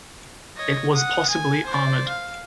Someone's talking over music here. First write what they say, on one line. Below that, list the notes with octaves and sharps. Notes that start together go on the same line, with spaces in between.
It was possibly armoured.
C#5 D#5
F#5 D#6
G#5
C5 D5
F5